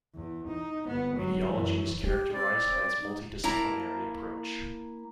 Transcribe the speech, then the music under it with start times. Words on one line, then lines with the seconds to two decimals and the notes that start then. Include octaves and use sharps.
Mediology is characterized by its multi-disciplinary approach.
0.14 E2
0.48 D#4
0.87 G1 B3
1.17 F#3
1.50 F#2 E3
2.01 G4
2.34 C4 D5
3.00 D#4
3.44 A#3 E4 A5 A#5